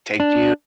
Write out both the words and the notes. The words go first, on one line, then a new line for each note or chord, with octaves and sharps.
thank you.
D4